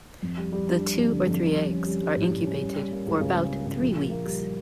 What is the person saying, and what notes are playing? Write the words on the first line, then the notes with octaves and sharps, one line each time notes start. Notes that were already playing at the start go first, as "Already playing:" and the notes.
The two or three eggs are incubated for about three weeks.
F2
G3
G3
D4
G3
F2
D3
F2
G3
G3
C#4
G3
G3
A2
A2
C#4
G3
G3
A#3
C#2
C#3
C#2
A#3
C#3
A#1
A#3
A#3
G3
G3